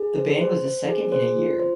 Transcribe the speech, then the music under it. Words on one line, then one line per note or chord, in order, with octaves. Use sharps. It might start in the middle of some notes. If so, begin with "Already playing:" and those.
The ban was the second in a year.
Already playing: G#4
C5
C5
C5
G#4
C5
F4
C5